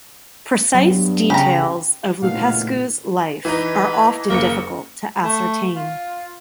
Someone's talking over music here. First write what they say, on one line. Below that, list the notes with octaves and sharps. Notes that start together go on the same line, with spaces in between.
Precise details of Lupescu's life are often difficult to ascertain.
G2 F#3 B3
C#3 G4 A#5
A#2 C#3 E3 A3 B3 D#4 F#4 F5
E3 D#4 B4
F#1 A#3 C#7
A3
F4